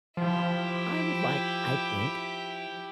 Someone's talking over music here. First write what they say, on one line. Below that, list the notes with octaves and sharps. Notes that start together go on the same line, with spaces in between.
I would like I think
F3 E4 G4